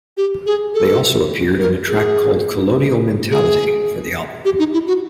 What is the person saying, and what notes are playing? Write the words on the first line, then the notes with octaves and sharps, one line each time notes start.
They also appeared on a track called "Colonial Mentality" for the album.
G4
G#4
A4
A#4
G#4
G#4
G4
D#4
E4
F#4